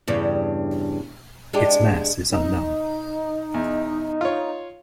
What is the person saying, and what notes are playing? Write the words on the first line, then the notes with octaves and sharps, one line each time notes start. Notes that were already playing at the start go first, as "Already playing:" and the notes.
Its mass is unknown.
E2 G2 C#3
G#3 D4 G4
D#4
E2
F4 C#5